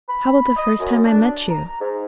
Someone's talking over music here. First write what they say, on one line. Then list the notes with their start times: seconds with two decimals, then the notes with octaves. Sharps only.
How about the first time I met you?
0.09 B5
0.57 D#5
0.80 F#2
1.06 D4
1.49 A#5
1.81 G#2